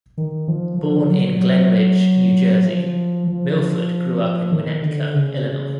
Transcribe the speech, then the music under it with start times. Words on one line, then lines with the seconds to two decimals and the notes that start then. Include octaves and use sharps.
Born in Glen Ridge, New Jersey, Milford grew up in Winnetka, Illinois.
0.17 D#3
0.48 F3
0.79 F3
1.10 F#3
1.36 F#3
2.65 F3
3.27 F3
4.52 D#3
4.82 D3
5.13 C#3